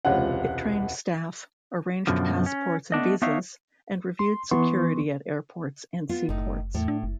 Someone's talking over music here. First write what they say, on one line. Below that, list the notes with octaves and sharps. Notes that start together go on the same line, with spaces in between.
It trained staff, arranged passports and visas, and reviewed security at airports and seaports.
E1 C#2 C3 F4 C#5 F#5
F#2 B2 D3 F3
C#4
A3 B3 D4 D#5
B3 D4 D#4 C#5 E5 F5
C6
E3 B3 C6 C#6
B3 F4
F#1 A2 D#4
E2 A2
D4
F#1